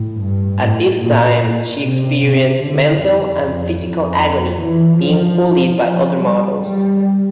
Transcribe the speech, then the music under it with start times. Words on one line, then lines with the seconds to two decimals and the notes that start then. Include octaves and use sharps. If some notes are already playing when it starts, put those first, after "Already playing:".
At this time, she experienced mental and physical agony, being bullied by other models.
Already playing: A2
0.23 G2
0.64 A2
1.04 A#2
1.43 A#2
1.83 C3
2.23 C3
2.63 D3
3.03 F2
3.43 F2
3.83 F2
4.62 E3
5.02 F3
5.82 F3
6.22 G3
6.62 G3